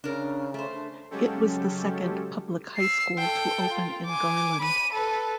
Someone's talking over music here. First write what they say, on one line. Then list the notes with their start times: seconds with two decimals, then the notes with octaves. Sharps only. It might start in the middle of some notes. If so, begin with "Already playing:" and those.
It was the second public high school to open in Garland.
0.04 C#3 D4 A#4
0.54 A3 C5
0.74 D4
1.11 C#3 F#3 G#3 C#4 G4 A4
2.77 E6 C7
3.18 A4 G5
3.72 F4
4.06 G#5 D6
4.61 B5 D#7
4.92 A4 B4